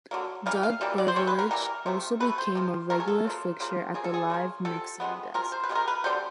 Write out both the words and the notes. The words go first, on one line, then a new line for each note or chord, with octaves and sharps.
Doug Beveridge also became a regular fixture at the live mixing desk.
D3 F#3 A#3
E3 G3 A#3 F5
F5
E3 G3 A#3
D5
C5
E3 G3 A#3 C#5
B4
A#4
E3 G3 A#3 A#4
C3 F3 A3
C3 F3 A3 B4
C5
C3 F3
C3 F3 A3 A#4
G#4
A4
C#3 F3 A#3
C#3 F3 A#3
C#3 F3 A#3 G#4
A4
G#4
C#3 F3 A#3
C3 F3 A4
C3 F3 G#3 B3
C3 F3 A#4
C5
B4
C3 F3 G#3 B3
A#4
B4
D3 G3 B3 C5